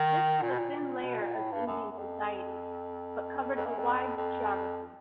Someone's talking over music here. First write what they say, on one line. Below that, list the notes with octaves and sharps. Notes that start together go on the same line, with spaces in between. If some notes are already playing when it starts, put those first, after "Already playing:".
This was a thin layer of Indian society, but covered a wide geography.
Already playing: D#3
A#2
B2
A#2
B2
A#2
A2
G2
F#2
F#2
F2
F2
F#2
F2
F2